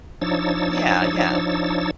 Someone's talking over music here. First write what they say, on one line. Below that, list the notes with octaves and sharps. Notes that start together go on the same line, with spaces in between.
Yeah. Yeah.
F3 D4 D#4 C#5 E6 A6